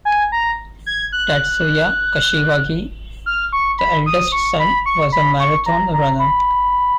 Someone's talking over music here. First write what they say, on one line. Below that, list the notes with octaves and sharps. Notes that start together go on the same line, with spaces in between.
Tatsuya Kashiwagi, the eldest son, was a Marathon runner.
G#5
A#5
G#6
F#6
F6
C#6
B5
D#6
C#6
B5
C#6
B5
C#6
A#5
A#5
B5